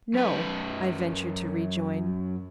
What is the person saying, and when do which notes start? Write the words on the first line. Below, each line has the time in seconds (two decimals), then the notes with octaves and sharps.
"No," I ventured to rejoin.
0.14 F#2 B4